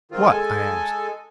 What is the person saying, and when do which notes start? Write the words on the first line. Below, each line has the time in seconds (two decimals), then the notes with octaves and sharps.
"What?" I asked.
0.12 G#2 D#3 C4 F4
0.29 G#3 A4 G#5